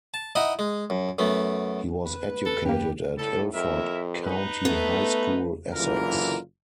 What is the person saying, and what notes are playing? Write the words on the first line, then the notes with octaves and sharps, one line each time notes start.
He was educated at Ilford County High School, Essex.
A5
D#4 E4 D#5 E5 F#5
G#3
F#2
F#2 A3 B3
B4
A4
F#2 A#3 G4
A2 G3 A4
F2 E4 A#4 E5
D#4 B4
A3 B3
F#1 D3 E3 F4 A#4